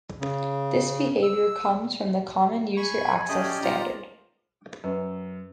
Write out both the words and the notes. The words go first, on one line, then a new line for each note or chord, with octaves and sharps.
This behavior comes from the Common User Access standard.
C#3
E6
G#5 B5 C#6
A3 C#4 G4 G#4 D5 D#5
F4 A#5
F#2 C#4 B4